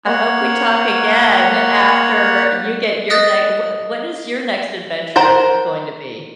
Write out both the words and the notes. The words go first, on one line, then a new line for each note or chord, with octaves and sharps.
I hope we talk again after you get your day uh, wha what is your next adventure going to be?
A#3 C#5 F#5
D#5 D#6 F#6 A6 A#6
A#4 C5 F#5 A#5